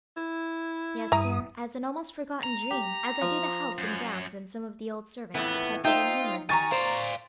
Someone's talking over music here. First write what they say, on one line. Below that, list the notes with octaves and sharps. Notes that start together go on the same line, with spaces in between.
"Yes, sir, as an almost forgotten dream, as I do the house and grounds and some of the old servants who petted and humored me."
E4
G2 E3 A#5 D#6
A#5
G4
F3
F#2
F2 A2 E3 B3
D#4 F4 C5 E5 G5
D#3 G#5 A#5 C#6 A6
C5 D5 F5